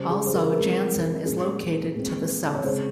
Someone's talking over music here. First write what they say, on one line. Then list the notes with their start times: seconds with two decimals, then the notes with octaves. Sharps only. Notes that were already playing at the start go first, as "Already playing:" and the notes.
Also Janssen is located to the south.
Already playing: C#3 G3 C#4 C5
0.10 G#4
0.26 C5
0.33 A#4
0.56 F3 G#3 C4
1.25 A#2 G#3 C#4 G#4
1.95 A#2 G#3 C4
2.54 C#5
2.64 C#3 G#3 C4 C5